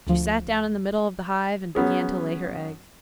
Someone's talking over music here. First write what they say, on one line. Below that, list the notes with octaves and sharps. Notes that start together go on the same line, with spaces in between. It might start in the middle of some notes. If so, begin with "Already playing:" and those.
She sat down in the middle of the hive and began to lay her eggs.
D2 F3
F#3 B3 C#4 G#4